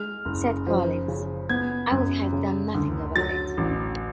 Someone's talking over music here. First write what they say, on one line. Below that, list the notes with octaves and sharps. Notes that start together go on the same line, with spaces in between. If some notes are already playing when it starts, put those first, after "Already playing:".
Said Collins: I would have done nothing about it.
Already playing: G#3 F6
F#1
F3
C#3
B3 G#6
F#2
C#3
D2
F#3 A6
A1